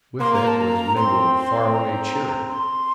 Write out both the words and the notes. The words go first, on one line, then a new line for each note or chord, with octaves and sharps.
With it was mingled far-away cheering.
A#3 C6
A#5
A5
A#5
C4 C6
A#5
C6